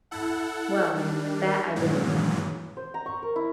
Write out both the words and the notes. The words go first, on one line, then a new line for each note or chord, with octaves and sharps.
Well, that I didn't know.
E4 A4 F#5
D#3 G3 D4
G2 A#2 D#3 E3 F#3 G#3
C5
A#5
C#6
A#4
E4